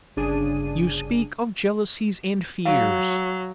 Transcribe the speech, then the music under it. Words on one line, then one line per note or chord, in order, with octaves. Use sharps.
You speak of jealousies and fears.
G1 C#3 D4 G#4 D#7
F#3 F5